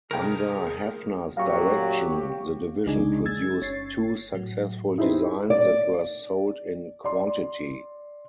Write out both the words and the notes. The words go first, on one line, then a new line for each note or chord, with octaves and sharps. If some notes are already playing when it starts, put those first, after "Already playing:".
Under Hafner's direction, the division produced two successful designs that were sold in quantity.
C2 F2 G#4 A#4 G5
F#2 A#2 F#3 F#4 G4 F5 C#6
C2 C#3 G#3 D4 D#4 G#4
E6 G#6 A6
G1 C#4 C#5 A6 C7
A2 F#3
D#4 E4 G4 G#4 B4 C5
D5
D5 C6